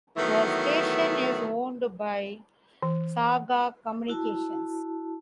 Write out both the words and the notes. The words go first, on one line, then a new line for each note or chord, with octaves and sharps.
The station is owned by Saga Communications.
D#3 E3 F#3 A3 B3
E3
E4 F#4 A5